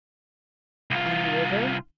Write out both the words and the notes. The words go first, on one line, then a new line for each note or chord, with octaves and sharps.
"On the river?"
C2 F4